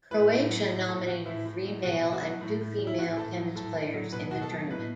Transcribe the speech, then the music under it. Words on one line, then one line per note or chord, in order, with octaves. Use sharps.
Croatia nominated three male and two female tennis players in the tournament.
A2 B4
A2
F#3
A2
A2 A4
E3 F#4
A2 E4
A2
F#3
B2 F#4
B2
F#4
F#3
A2
A2
E3
E4
A2 F#4
A2 A4
F#3
A2 A4
A2
F#3
B2 B4
B2 F#4
A4
F#3
A2 B4